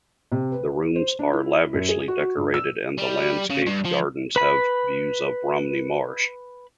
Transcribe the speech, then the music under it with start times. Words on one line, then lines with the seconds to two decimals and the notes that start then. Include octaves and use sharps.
The rooms are lavishly decorated and the landscaped gardens have views of Romney Marsh.
0.32 C3
0.52 B4
0.96 C5
1.19 D4
1.33 E4
1.74 F#2
1.89 G#4
2.08 F#4
2.20 F#4
2.37 G2
2.54 E6
2.99 G3
3.50 C#3
3.67 G2
3.85 F3
4.36 B4 B5